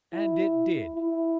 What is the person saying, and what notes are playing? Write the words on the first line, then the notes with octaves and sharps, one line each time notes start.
And it did.
E4
E4